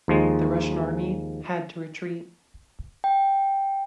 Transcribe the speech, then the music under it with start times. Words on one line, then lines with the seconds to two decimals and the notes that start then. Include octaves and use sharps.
The Russian Army had to retreat.
0.08 D#2 F3 G#3
3.04 G5